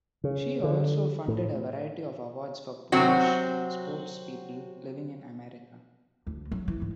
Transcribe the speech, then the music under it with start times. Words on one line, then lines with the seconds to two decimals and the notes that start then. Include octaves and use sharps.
She also funded a variety of awards for Polish sports people living in America.
0.24 C#3
0.64 D3
1.28 A2
2.92 C3 F#3 C4 F#4
6.27 D2
6.52 F#3
6.68 E3
6.82 G#2